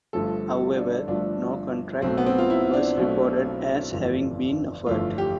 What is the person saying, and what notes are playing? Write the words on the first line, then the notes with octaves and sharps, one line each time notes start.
However, no contract was reported as having been offered.
G1 G2 F3 A3 A4
D4
G1 G2 F3 A3 D4
B1 B2 A3 C4
B3
C4
F4
E4
D4
B1 B2 A3
G1 F2 E3 A3
G1 F2 E3 A3 F4
G4